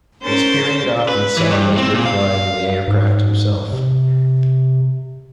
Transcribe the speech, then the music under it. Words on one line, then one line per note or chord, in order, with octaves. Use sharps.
This period often saw Laker flying the aircraft himself.
C#4 A#4 C5 G6 A6
B4
E3
G2
C4
A#2
F5
G#2
C3